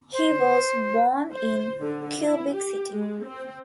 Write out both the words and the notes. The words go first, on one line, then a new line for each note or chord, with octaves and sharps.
He was born in Quebec City.
C5
C5
D3
E4
G4
G#3
C4